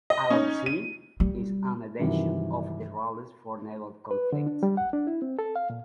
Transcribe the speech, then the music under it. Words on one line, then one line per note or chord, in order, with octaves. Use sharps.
"All at Sea" is an adaptation of the rules for naval conflicts.
D#5
C#4 D#4
D#7
G3
G2 C3 D#3 E3 F#3
B4
D3
D4
G3
F#5
D4
E4
C4
A4
F5
A#2